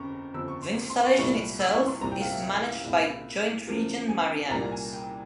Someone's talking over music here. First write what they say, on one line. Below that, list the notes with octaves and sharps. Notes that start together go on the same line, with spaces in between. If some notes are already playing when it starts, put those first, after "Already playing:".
The installation itself is managed by Joint Region Marianas.
Already playing: G1 F2 C#3 A#5 C#6
G1 F2 C#3 F3 E6
C#6
C6
C6
C#6
C2 A#2 G3 A#3 E4 C#6
E6
C#6
C6
C2 A#2 G3 C4 A#5
G5
F5
E5
E5
E5
F5
C2 A#2 G#3 C4 E4 E5
F5
E2 C#3 F3 A#3
G#5
C2 A#2 G3 A#3 A#5
G#5
G5